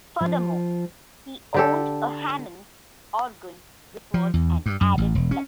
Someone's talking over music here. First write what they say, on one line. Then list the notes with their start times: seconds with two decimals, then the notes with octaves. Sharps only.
Furthermore, he owned a Hammond organ, which was an added plus.
0.21 F3
1.54 D3 G4 A4
4.14 F3
4.34 E2
4.66 G2
4.81 F#2
4.98 A1
5.15 E1
5.31 C#4